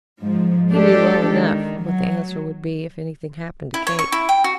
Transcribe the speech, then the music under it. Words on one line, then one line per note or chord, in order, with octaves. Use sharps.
He knew well enough what the answer would be if anything happened to Kate.
G#2 F3
G3 G#3 D4 G4 A4
D#3
F#3
E4
C#5
C#6
E4
G5
F#4